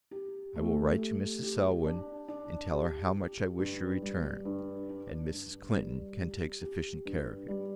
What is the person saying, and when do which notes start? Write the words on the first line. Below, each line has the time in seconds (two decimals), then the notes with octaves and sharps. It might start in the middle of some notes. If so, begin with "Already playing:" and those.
I will write to Mrs. Selwyn, and tell her how much I wish your return; and Mrs. Clinton can take sufficient care of you.
0.11 G4
0.56 A3
0.98 G4
1.42 G4
1.85 D4
2.28 D4
2.72 G4
3.16 G4
3.58 G2
4.02 G3
4.45 G2
4.89 D4
5.32 G2
5.75 G3
6.18 G4
6.61 G4
7.05 G2
7.48 G3